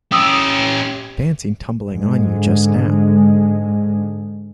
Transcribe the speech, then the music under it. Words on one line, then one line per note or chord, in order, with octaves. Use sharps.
Fancy tumbling on you just now!
C#4 G4 D#6 E6
G#2 D3 G#3